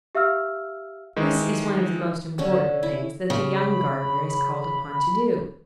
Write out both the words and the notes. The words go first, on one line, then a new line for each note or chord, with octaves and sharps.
This is one of the most important things that the young gardener is called upon to do.
G4 E5 F5 E6 F6
D#3 E3 G#3
D3 C#4 A4
E4
C#3
B5